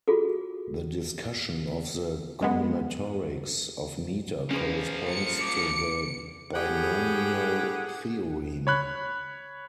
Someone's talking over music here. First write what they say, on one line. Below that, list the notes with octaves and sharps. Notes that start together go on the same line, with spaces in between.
The discussion of the combinatorics of meter corresponds to the binomial theorem.
F4 F#4 G#4 A4
F#2 G#3 B3
F3 A#3 C#4 G#4 B4
C#7
D6
A2 G4 G#4 F#5
C#5 B5 F#6